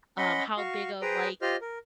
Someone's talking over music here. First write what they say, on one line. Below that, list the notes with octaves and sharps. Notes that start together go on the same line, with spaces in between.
um, how big of like,
C#4 D#5 F#5 B5 C6
F#4 F5 C#6
G#4 B4 C5 G5 A#5 D#6
F4 G4 C5 D#5 F6
A#4